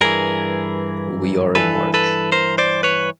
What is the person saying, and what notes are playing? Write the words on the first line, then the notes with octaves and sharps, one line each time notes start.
We are in March.
G2 E3 G#4 A#4
G2 E3 A4 B4
A4 B4
A#4 C5
C5 D5
B4 C#5